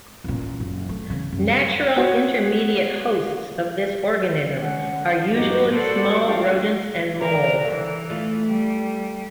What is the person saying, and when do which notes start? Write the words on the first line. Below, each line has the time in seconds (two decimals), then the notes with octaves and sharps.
Natural intermediate hosts of this organism are usually small rodents and moles.
0.24 A1 A#2
0.60 F#1
0.89 A3
1.10 C#3 E3
1.33 F#2
1.96 B3 F#4 C#5
4.60 G#3 C#4 F#5
4.95 D3
5.32 F#2 A2 F#3 D#4 F#4 G4
5.72 F#4 A4 B4 C5 D5 F#5
6.24 G3 G#3 D4 F#4 F5 G5
7.21 D3 A#4
7.68 E3
8.10 A3 F4
8.46 G3